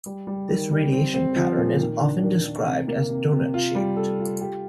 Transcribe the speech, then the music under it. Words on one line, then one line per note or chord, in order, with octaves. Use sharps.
This radiation pattern is often described as "doughnut shaped".
G3
G3
D#3
G3
C4
C4
F3
A#2
D#3
D4
D#3
D#3
C3
A#3
C3
C3
F4
G3
A4
F4
G4